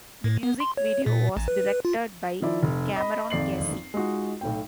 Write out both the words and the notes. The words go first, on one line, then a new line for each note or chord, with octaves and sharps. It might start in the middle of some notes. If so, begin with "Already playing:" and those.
The music video was directed by Cameron Casey.
A2
B3
C6
C#5
A#2
A1
B4
F4
D#3 F3 E4 D5
F1
D#5 B5
G#1 F2 D5 C7 F#7
G#3 D#4 F4 F#4
B1 A2 G5